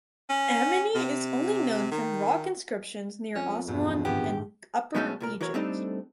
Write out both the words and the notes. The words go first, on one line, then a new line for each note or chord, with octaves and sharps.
Ameny is only known from rock inscriptions near Aswan in Upper Egypt.
C#4
C3
D#3
F2 C#4
E2 G2 B2
D#1 G#2 B3 G4
B2 F#3 G#3 A3 C#4 A4
C2 A#2 A#4
E3 F#4 A#4 C#5
G3 A3 C4 D4 D#4 A4